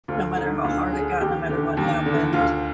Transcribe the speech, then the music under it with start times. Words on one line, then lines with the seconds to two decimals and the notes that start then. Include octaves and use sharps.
no matter how hard it got, no matter what happened,
0.08 D2 F4
0.36 D3 D#4
0.64 D2 F4
0.93 D3 G#4
1.21 D#2 G4
1.49 D3
1.77 D#2
2.06 D3
2.33 D2 F4